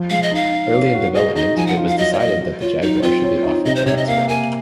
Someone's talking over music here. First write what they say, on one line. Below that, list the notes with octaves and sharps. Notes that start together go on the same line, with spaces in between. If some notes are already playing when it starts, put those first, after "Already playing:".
Early in development, it was decided that the Jaguar should be offered for export.
Already playing: F3
G#3 F5
D#5
D#4 F5
D#4
C#5
F#4
G#4 D#5
D#4 D#5
F3 G#5
F#5
F4
F5
F#3 D#5
C#5
F#3 D#5
F#4
F4 C#5
F#3 D#4
C4 F4
C#5
D#4
C3 D#5
C5
C3 C#5
D#5
A#3 F5
A#3 G#5